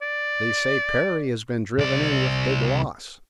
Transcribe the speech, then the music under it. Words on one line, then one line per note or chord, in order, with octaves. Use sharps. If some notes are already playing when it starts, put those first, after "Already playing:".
"They say Perry has been driven in with big loss."
D5
C2 D5